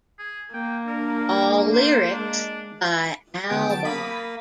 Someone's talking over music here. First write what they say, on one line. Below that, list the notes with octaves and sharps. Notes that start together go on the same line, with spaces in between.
All lyrics by Albarn.
G#4
A#3 G5
D4 A#4
C5
G#3 D4
D3 B3 G4 G5
F#3 A5 D7
A#3 B5 D#6 B6